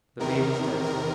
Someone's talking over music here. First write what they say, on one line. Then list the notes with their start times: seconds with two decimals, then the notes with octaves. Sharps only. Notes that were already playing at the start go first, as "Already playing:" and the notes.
The baby's dead.'
0.19 E2 C3 D#3 A#4
0.84 A#4